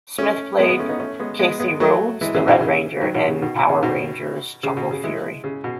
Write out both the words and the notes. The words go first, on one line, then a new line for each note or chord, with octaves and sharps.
Smith played Casey Rhodes, the Red Ranger, in "Power Rangers Jungle Fury".
A3 C#4
G#3 B3
G#3 B3
A3 C#4
B3 D#4
A3 C#4
G#3 B3
G#3 B3
G#3 B3
F#3 A3
E3 G#3
C#3 E3
B2 D#3
C#3 E3
D#3 F#3
B2 D#3
C#3
B2 D#3
B2
C#3
B2 D#3
C#3
B2
C#3
E3 G#3
C#3
B2